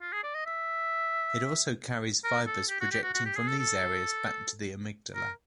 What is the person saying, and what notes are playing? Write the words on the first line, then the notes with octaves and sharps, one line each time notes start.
It also carries fibers projecting from these areas back to the amygdala.
F4
G#4
D5
D#5
E5
A#4
A4
G4
F#4
G4
F#4
F#4
G4
G#4
A4
A4
A#4